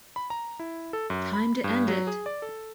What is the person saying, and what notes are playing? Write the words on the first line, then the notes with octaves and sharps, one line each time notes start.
Time to end it!
B5
A#5
E4
A4
F#2
B5
G2
F#3
G#4
D5
A4